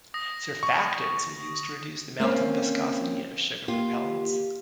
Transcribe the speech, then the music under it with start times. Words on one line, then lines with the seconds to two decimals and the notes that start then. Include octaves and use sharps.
Surfactants are used to reduce the melting viscosity of sugar propellants.
0.14 D#6 A#6
0.63 C#6
2.20 A#3 C4 C#4
3.68 A#3 F4 G4